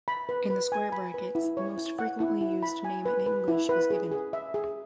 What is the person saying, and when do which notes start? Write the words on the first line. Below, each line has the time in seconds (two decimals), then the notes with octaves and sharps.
In the square brackets, the most frequently used name in English is given.
0.08 B5
0.29 B4
0.50 B4
0.72 G#5
0.92 B5
1.14 B4
1.35 E4
1.57 C#5
1.78 E4
1.99 F#5
2.20 E4
2.41 E4
2.63 B5
2.84 G#5
3.06 B4
3.26 B4
3.48 E4
3.69 B4
3.90 G#4
4.12 G#4
4.33 E5
4.54 G#4